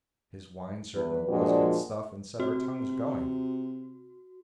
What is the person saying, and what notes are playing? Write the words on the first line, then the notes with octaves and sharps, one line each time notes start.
His wine certainly was good stuff, and set our tongues going....
E2 B4
A#2 F3 G#3 A#3 D4 F#4
C3 F#4